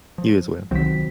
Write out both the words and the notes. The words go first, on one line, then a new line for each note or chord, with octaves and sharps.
You as well.
F3
C2 D#3 F3 F#3 C4 B6